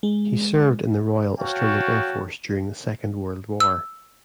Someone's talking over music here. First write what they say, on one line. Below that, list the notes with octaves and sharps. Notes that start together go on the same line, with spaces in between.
He served in the Royal Australian Air Force during the Second World War.
G#3
F#4 C#5 F5 G5 A5
E6